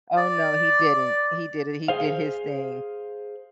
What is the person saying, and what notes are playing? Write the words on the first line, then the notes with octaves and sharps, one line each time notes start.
Oh, no, he didn't, he did it, he did his thing,
D5
G#4 C5 F5